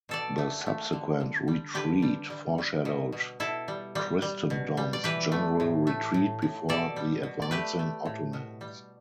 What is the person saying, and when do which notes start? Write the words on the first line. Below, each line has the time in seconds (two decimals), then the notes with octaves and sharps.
The subsequent retreat foreshadowed Christendom's general retreat before the advancing Ottomans.
0.09 B2 A4 D5
0.38 A3
0.66 A3
0.93 D3
1.20 D3
1.48 G3
1.75 D3 G4 B4
2.02 G3
2.30 G3
2.58 G3
2.85 B2
3.12 B2
3.40 B2 E4 A4
3.68 G3
3.95 G3
4.22 G3
4.50 B2
4.77 G3
4.93 D5
5.04 E3 G4 B4
5.32 A3
5.60 A2
5.87 A3
6.14 A2
6.42 A2
6.69 B2 A4 D5
6.96 G3
7.23 B2
7.42 D5
7.51 A3 G4 B4
7.79 A3
8.05 A2
8.33 B2
8.61 G3